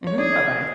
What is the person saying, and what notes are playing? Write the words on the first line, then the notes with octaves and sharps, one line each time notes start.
Mhm, bye-bye.
C#5
G#4 D5
D#5
D#5